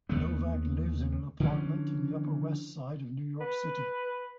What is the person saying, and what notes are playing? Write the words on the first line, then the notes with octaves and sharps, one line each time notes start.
Novak lives in an apartment in the Upper West Side of New York City.
D#2 A3 B3
D3 E3 F3 C#4
B4